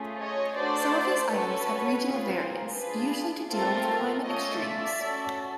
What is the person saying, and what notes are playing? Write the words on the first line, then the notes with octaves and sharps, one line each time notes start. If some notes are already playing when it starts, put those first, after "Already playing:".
Some of these items have regional variants, usually to deal with climate extremes.
Already playing: A3 C#4 F4 G#4
C#5 D#5
A3 D4 F#4 C5 D5
C#4 F#4 A4 B4 C#5
C4 F4 G#4
A#4 C5
D4 F4 G#4 B4
A3 C4 F4 A4 A#4
A3 C#4 F4 A4 C#5 D#5
D5 E5
C#4 F#4 A4